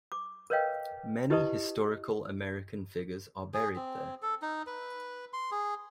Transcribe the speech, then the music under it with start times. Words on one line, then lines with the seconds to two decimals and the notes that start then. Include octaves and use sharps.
Many historical American figures are buried there.
0.12 D6
0.50 A#4 B4 C#5 D#5 F5 G5
1.30 E4 G4 B4 D#5 A5 D#6
3.54 G#4
3.76 C4
4.22 A4
4.42 D#4
4.67 B4
5.33 C6
5.51 G#4